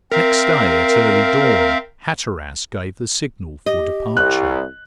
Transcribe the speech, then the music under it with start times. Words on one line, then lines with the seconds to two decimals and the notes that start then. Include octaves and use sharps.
Next day at early dawn, Hatteras gave the signal for departure.
0.12 C4 A#4 E5 F5
3.66 G4 D#5
4.17 C2 F#6